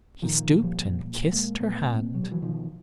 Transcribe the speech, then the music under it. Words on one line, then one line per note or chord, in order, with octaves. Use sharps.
He stooped and kissed her hand.
A#2 D#3 F3
A#2
F3 G3
A#2
A#2
A#2 G#3 A#3
A#2 A3 B3
B2 A#3 C4
B2 F#3
G3
E3 F#3
B2 D#3 F3